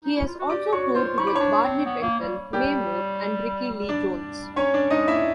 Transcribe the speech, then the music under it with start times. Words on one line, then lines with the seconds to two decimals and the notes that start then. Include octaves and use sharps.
He has also toured with Barney Bentall, Mae Moore and Rickie Lee Jones.
0.04 D#4
0.16 E4
0.27 F4
0.39 F#4
0.50 G4 D5 D6
0.66 G4
0.72 F#4 C#5 C#6
0.95 F4 C5 C6
1.18 E4 C#6
1.27 D6
1.35 D4 C#5 C#6
1.63 C4
1.85 B3
2.02 A#3
2.20 G3
2.53 G3 G4 G5
3.89 G3 D4 D5
4.56 F#3 C#4 C#5
4.74 G3 D4 D5
4.90 G#3 D#4 D#5
5.08 A#3 E4 E5